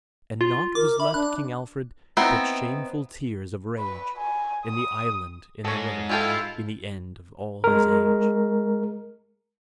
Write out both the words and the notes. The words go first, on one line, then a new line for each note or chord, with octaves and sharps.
And naught was left King Alfred But shameful tears of rage, In the island in the river In the end of all his age.
F4
A#4 D6
E5 B5
D4 F#6
B3 C4 D#4 E4
B4
G#5
D#6
G#2 A4 C#5 D#5
G#3 E4 F4 G4 A4
G#3 A#4